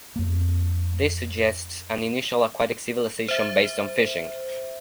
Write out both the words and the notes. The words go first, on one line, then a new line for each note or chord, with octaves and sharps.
This suggests an initial aquatic civilisation based on fishing.
F2 A#3
C5 E5